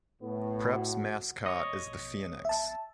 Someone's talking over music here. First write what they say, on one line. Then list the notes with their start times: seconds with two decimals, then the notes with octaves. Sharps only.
Prep's mascot is the Phoenix.
0.22 A2 B3
0.73 F#4
1.46 C#5 D#5
2.45 E5 A5